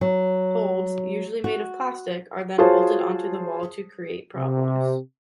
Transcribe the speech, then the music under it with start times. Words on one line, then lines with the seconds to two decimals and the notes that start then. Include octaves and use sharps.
Holds, usually made of plastic, are then bolted onto the wall to create problems.
0.01 F#3
1.44 F#4
2.58 F4 F#4 G#4 C5 C#5 A5
4.37 C3